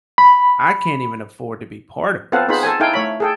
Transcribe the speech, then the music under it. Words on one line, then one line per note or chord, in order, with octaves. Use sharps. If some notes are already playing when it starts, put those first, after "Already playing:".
I can't even afford to be part of this,
B5
B3 C4 F4 A4 F5 F#5
B3 D#4 F4 G#4 C5 B5
A4 C5 G#5
D#4 E4 A4 F5 G5 G#5
A3 C#5 B5
G#4 A4 G5